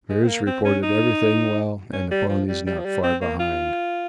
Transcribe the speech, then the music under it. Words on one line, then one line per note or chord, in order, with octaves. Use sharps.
Meares reported everything well and the ponies not far behind.
G#3
C4
A#3
C4
C#4
D#4
C#4
G3
F3
G3
G3
F3
G3
C4
A#3
F4